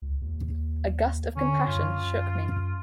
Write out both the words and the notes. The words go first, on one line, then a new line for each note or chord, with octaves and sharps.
A gust of compassion shook me.
C#2
D#2
D3 C#4
F#2 F4